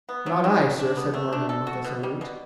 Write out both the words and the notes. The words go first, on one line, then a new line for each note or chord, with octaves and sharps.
"Not I, sir," said Morgan with a salute.
B3
F#3
D#3
G3
D4
B3
A3
D4
A4
F#4
B2
G3
B2